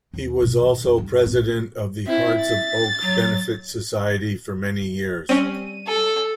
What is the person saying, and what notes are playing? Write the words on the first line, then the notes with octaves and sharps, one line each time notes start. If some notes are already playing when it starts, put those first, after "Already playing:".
He was also president of the Hearts of Oak Benefit Society for many years.
D#2
B2 A#3
D#3
F2
G2
A#1 B3
C4 E4 E5
A6
F#3
G3 C4 C#4 D#7
A4